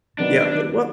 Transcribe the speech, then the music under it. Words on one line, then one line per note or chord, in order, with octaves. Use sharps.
Yeah. But what
D#3 F#3 B3 D4 D#4